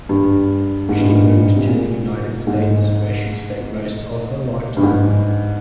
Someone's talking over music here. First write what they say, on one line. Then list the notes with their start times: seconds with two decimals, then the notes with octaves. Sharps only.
She moved to the United States where she spent most of her lifetime.
0.09 G2
0.89 G#2
0.99 G2
1.09 G#2
1.56 C3
1.68 A#2
2.47 G#2
4.77 G2
4.83 G#2